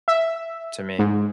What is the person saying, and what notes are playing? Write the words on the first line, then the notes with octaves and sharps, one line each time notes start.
to me.
E5
G#2